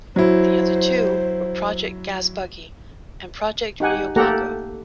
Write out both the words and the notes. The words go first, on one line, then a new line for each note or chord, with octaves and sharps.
The other two were Project Gasbuggy and Project Rio Blanco.
F#3 E4 C5
D#4 G4 F#5 G#5
A3 A#3 G4 A4 F#5 A#5